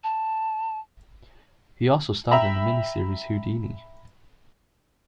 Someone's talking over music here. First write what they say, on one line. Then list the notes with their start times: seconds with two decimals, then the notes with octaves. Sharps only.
He also starred in the miniseries "Houdini".
0.04 A5
2.31 E5 G5 A#5 B5